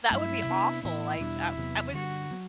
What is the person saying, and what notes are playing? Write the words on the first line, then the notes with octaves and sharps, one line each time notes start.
that would be awful. Like, I I wouldn't
G2 F#3 A3 C4 E4
C3 G3 B3 D4
A2 E3 B3 E4
E2 B2 G3 D4
E2 C3 F#3 B3
G2 D3 G3 F#4
F#3 B3